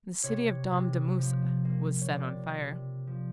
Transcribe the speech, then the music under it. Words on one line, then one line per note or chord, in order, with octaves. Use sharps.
The city of Damdamusa was set on fire.
C3 C#5
C3
F3
A#3
C#5
C3 D5
C3
F3